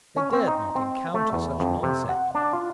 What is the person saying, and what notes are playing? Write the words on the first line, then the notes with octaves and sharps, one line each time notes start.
They dared not encounter such an onset.
C#4
C4
D#4
C4
A3
E2
F2
C3
F#5
D4
F4